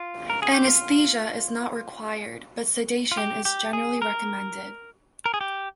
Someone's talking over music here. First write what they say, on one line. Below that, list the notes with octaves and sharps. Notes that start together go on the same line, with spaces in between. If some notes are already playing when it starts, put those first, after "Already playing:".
Anesthesia is not required, but sedation is generally recommended.
Already playing: F4
A#4
G#4
G4
F4
F4
G4
G4
G#4
A#4
A#4
G#4
G4